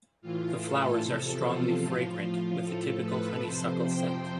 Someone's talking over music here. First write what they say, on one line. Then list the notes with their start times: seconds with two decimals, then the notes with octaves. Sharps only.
The flowers are strongly fragrant with the typical honeysuckle scent.
0.22 A2 E3 F4
0.62 A4
1.01 E2 C3 F3
1.42 F4
1.82 A2 F3
2.62 A2 F3 A4
3.03 B4
3.43 F2 C3 F3 C5
3.84 G5